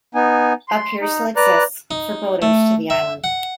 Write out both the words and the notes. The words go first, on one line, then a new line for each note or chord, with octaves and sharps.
A pier still exists for boaters to the island.
B3 D#4 G#5
C6
D#4
B4 D5 A#5 F#6
D#4
A3
E5
F#5